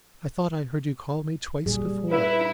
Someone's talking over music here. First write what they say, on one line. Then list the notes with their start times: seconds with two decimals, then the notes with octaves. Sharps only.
I thought I heard you call me twice before!
1.66 A#2 G3 G#4
2.11 E4 B4 E5